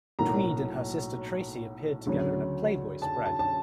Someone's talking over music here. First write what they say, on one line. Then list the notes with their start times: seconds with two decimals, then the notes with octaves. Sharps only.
Tweed and her sister Tracy appeared together in a "Playboy" spread.
0.19 B1 A2 F#3 A#3 A#5
2.07 D2 C#3 F#3
3.02 A5
3.25 A5
3.39 A5